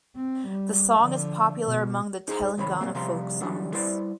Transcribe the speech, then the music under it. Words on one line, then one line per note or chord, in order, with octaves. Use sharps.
The song is popular among the Telangana folk songs.
C4
G3
D3 F3
B2
D#4 G#4 C5 A#5
C2 F2 D#3 C#5 B5
A#2 D#3 G3 A#3 C4
C3 F3 G3 F5 A#5 C6
D3 E3 F#3 G3 D4
G3 E4 B4 C5 D5